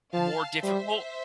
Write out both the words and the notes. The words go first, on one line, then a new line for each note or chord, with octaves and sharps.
more difficult.
F3 F5 A5
G3 C5 E5